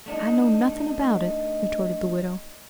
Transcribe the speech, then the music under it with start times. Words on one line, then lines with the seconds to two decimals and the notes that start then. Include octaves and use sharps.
"I know nothing about it," retorted the widow.
0.06 A3 D4 D#4